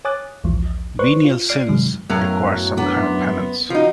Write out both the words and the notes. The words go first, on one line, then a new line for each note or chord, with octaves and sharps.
Venial sins require some kind of penance.
C#5 G#5 D6 D#6 F#6 A6
A#1 D#2 G#2 E3 F3
B4 C5 D5 C6 C#6 F#6
F4
D5 F6 C7 D7
G2 C3 D#3 F#3 G#3
F#2 A2 F#3 B3 A#4
B3 D4 A#5 D6
E5 C6
F3 D#4 F4 F#4 F#5